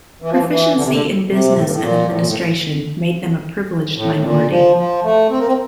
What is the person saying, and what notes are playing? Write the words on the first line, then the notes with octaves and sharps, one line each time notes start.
Proficiency in business and administration made them a privileged minority.
E3
F3
E3
E3
D3
C3
D3
C3
A2
G2
A2
A#2
A2
A#2
A2
A2
A2
A#2
F3
F3
A3
C4
A#3
C4